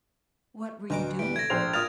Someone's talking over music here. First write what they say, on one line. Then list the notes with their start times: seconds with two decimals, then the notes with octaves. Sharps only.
"What were you doing, then?"
0.90 D2 B2 A#5 D6
1.19 E3 G3 D7
1.36 A3 G#6 A#6
1.50 A#1 C5 F7
1.74 A#2 A#3 D#6 F6 A6 F7